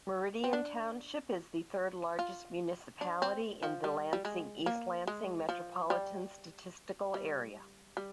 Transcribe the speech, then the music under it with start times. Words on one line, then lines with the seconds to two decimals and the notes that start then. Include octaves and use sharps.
Meridian Township is the third largest municipality in the Lansing-East Lansing Metropolitan Statistical Area.
0.44 C4
0.53 D4
2.19 F4
3.01 D4
3.22 C4
3.63 F3
3.84 G3
4.13 G3
4.25 G#3
4.66 A#3
5.07 G#3
5.49 F3
5.90 G3
7.14 G3
7.97 G3